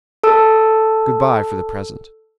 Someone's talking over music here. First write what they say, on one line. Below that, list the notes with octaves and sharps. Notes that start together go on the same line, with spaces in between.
Good-bye for the present!
A4 A5 E6